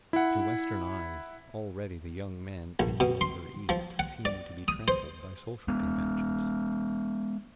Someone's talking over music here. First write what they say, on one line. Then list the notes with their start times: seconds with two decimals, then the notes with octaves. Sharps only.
To Western eyes already the young men in the older East seem to be trammeled by social conventions.
0.13 E4 F#5
2.79 A#1
3.00 B2
3.21 C6
3.69 F3
3.99 F#5
4.25 D5
4.68 D#6
4.88 C5
5.68 G#3 B3